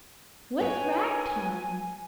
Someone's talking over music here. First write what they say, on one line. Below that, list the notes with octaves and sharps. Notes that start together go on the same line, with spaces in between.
"What's rag-time?"
B4 C#5 G5 G#5